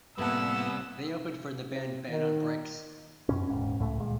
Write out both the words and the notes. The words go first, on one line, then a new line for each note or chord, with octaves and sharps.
They opened for the band Bed on Bricks.
A2 C3 G3 A#3 B3 A5 E6
C3
D#3
F#2 B2 C#4
D#1 A#1 G#2 C#4
C#2 A2 A3
D#1 A#2 G#3